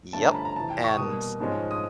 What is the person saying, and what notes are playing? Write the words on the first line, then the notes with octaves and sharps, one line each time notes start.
Yep, and
G2 D3 F3 A3 C#4 A5
A#5
B5
A#5
F2 C3 E3 A5
G5
C#6
B2 G3 A#3 D#6
G#2 F3 G#3 C#4
D#6